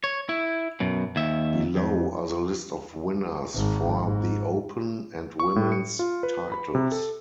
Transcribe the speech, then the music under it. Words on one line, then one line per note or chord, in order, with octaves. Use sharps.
Below are the list of winners for the Open and Women's titles.
C#5
E4
F#2 B2
D#2 E5
F2
G#1
G#2
C#6
A2
C#7
F4
B4
B5
C3
A4